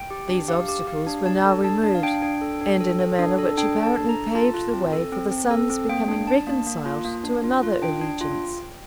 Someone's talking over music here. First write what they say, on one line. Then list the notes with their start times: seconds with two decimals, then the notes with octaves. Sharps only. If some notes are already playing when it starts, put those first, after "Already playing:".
These obstacles were now removed, and in a manner which apparently paved the way for the son's becoming reconciled to another allegiance.
Already playing: G5
0.11 G4
0.29 D4
0.48 G4 F5
0.68 G4
0.87 G4 F5
1.07 D4
1.26 D4 A5
1.45 A4
1.64 D4 A5
1.84 D4
1.95 F5
2.03 D4 G5
2.22 D4
2.42 A4
2.61 D4
2.81 A4
3.00 A4
3.19 D4
3.38 A4
3.57 D4 G5
3.77 A4
3.83 A5
3.96 D4
4.09 A#5
4.16 A4
4.35 F4 A5
4.54 F4
4.73 C4
4.93 A4
5.12 C4
5.31 C4
5.51 A4
5.70 C4
5.89 A#3 G5
6.08 D4
6.27 D4 A5
6.47 A#3
6.67 A#3
6.86 F4
7.05 A#3
7.24 D4
7.44 F4
7.63 F4
7.82 D4 G5
8.01 D4
8.21 F4